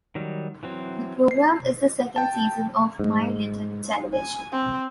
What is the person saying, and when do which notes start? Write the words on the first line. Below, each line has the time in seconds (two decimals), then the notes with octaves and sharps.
The program is the second season of "My Little Television".
0.15 D#3 F#3 G3
0.63 E3 F#3 C4
1.31 C7
2.16 G5 A5
2.99 G#2
4.14 G#5
4.52 C4